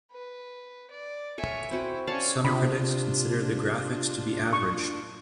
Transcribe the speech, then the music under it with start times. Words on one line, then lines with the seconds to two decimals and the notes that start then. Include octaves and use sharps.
Some critics considered the graphics to be average.
0.11 B4
0.90 D5
1.38 A4 C#5 E5 G#5
1.71 C4 E4 F#4
2.07 C#4 C#5 D5 F5 A5
2.45 C3 D4 F4 B5 D#6
4.53 C#6